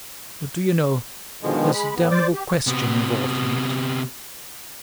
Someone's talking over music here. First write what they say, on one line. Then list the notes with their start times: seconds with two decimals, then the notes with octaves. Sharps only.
But, do you know, there's a damnable question involved in it?
1.43 B2 D3 D#3 F3 G#3
1.72 G#3 B5
1.96 A2 B3
2.11 C5 D5 D6
2.33 G4
2.67 C3 B3